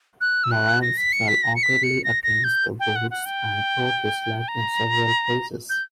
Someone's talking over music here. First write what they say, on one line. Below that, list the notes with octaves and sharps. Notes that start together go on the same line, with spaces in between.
Morenz fell awkwardly against the boards and broke his leg in several places.
F#6
E6
F#6
A#6
B6
C#7
B6
A#6
C#7
B6
C#7
A#6
A#6
G6
G5
F#5
F#5
G5
A#5
G6